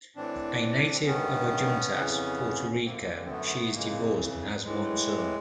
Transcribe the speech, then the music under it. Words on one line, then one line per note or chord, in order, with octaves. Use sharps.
A native of Adjuntas, Puerto Rico, she is divorced and has one son.
A2 E3 C4 D4
C4
G2 D#3 B3 C#4
F2 C#3 E3
F#2 D3 A#3 C4
C4
A3 B3
A3
F2 C#3 E3 G#3 A#3
A2 E3 G#3